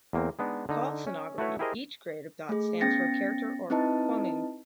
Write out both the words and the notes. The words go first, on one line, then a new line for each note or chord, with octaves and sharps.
Called "sonography", each grid of dots stands for a character or phoneme.
E2 A#3 C4
G#3 B3 D4 D#4
D3 D#4
C#4
A3 E4 F#4 B4 C#5
E4 G4 G#4 A#4 C5 D#5
A3 G#4
B3 C#4 G5 A6 A#6 C#7
C4 D#4 E4 B4 D#5 A5